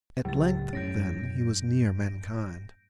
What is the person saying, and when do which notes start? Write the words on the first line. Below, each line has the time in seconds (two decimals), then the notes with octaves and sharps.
At length, then, he was near mankind.
0.25 C#2 A2 F#3 A6
0.73 F#2 A2 C#4 G6 A#6 D7